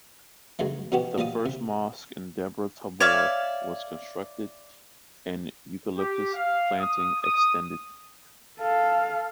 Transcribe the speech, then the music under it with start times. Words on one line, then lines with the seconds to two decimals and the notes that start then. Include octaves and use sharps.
The first mosque in Debre Tabor was constructed and eucalyptus planting extended.
0.59 C#2 F#2 G#3 A3
0.92 B2 F3 B3 F#4 G4
1.18 A#2 F3 G3 F5 D#6
1.46 C3
3.00 C#5 D5 E5 F5
5.98 G4
6.34 F5
6.79 D#6
7.22 D#6
8.60 A4 F5